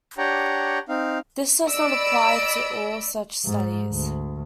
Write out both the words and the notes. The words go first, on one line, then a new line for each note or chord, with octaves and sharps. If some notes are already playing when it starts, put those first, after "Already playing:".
This does not apply to all such studies.
D4 G4 C#5 F#5 G5 A#5
C4 D#4 F5
D5 D#5 B5 E6 D7
G#2
D2